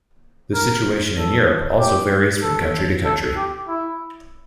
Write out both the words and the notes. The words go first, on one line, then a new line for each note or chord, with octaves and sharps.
The situation in Europe also varies from country to country.
A#4
A4
G4
A4
A4
G4
E4